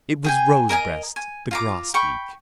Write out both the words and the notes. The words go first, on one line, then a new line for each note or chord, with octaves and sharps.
It was Rosebreast the Grosbeak.
G#4 G5 G#5
A#4 D#5 G#5 A#5
G#5
F4 A#5 D6
G5 B5 C#6